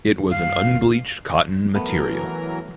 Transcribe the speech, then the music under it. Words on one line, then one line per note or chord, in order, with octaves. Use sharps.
It was an unbleached cotton material.
G1 F#2 G3
F5
D#2 A#2
E3 F#3 A3 B3 A#4